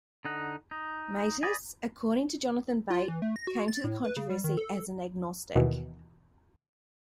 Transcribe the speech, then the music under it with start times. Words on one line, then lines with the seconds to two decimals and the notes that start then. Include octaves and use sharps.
Matus, according to Jonathan Bate, came to the controversy as an agnostic.
0.25 D3 D#4 F#5
0.71 D#4
1.43 B4 D5 D#5 G#5
2.90 F4
3.08 E3
3.22 A3
3.36 A#6
3.47 F#4
3.68 A6
3.84 A2
4.04 B4
4.17 C#3
4.30 G3
4.44 D#3
4.57 A4
5.55 D#2 B2 D#3 E3